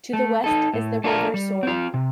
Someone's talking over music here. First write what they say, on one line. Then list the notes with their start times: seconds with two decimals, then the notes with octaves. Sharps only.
To the west is the River Soar.
0.13 A3
0.44 D#4 A4
0.74 A2
1.04 A3 D4 F4 A#4
1.34 G3
1.63 C4 F4
1.94 C3